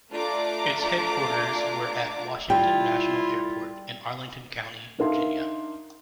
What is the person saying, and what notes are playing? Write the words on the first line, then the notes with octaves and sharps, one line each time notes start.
Its headquarters were at Washington National Airport in Arlington County, Virginia.
A3 D4 F4 D5 A#5 D6
G3 E4 F4 G5
D4 D#4 A#4 E5 F5 C6